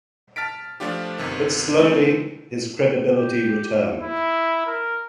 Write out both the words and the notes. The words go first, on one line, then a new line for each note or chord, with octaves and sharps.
But slowly his credibility returned.
A5 F6 A6 B6 D7
F3 A3 D4 F4 G4
G1 C3 D#3
G#3 A3 C4 D#4
G4
E4
A#4